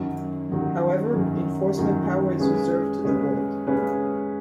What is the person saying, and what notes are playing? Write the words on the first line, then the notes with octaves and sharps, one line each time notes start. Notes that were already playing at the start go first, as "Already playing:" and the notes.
However, enforcement power is reserved to the Board.
Already playing: F#2 D#3 F#3
F#2 D#3 F#3
F#2 D#3 F#3
F#2 D#3 F#3
C#3 G#3 C#4 G#4 B4
C#3 G#3 C#4 G#4 B4
C#3 G#3 C#4 G#4 B4